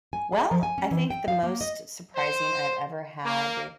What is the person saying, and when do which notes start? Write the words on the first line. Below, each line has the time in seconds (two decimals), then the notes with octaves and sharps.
Well, I think the most surprising I've ever had
0.13 G#5
0.32 G#4
0.51 F3
0.63 G#5
0.78 C#4
0.91 E3
1.10 G5
1.28 F5
1.43 A#3
1.61 D#5
2.15 C5
3.24 A#3